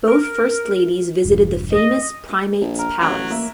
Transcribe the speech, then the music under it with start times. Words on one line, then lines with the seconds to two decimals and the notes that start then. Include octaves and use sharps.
Both first ladies visited the famous Primate's Palace.
0.08 A#4
1.25 E1 G2
1.71 D#5
2.61 A#1
2.79 A#4
3.01 A1 F#3
3.31 A#3 E5